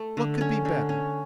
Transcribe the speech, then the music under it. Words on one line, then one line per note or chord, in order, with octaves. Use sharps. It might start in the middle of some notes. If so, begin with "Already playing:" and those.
What could be better?
Already playing: A3
D3
C#4
D3
C#4